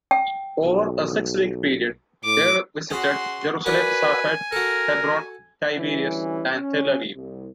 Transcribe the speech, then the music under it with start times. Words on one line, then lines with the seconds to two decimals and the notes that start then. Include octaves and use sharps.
Over a six-week period, they visited Jerusalem, Safed, Hebron, Tiberias and Tel Aviv.
0.11 G5
0.62 B1
2.25 A2 D6
2.90 C#4 F#4 G#4 B5 C6
3.66 F#4 A#4 B4 D5 G#5
4.52 F#4 A4 A#4
5.76 D2 E3 G3 C#4
6.54 C#4
7.15 C2